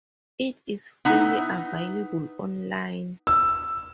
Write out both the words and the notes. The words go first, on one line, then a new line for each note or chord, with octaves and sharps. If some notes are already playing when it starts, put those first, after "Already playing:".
It is freely available online.
B3 D#4 E4
E6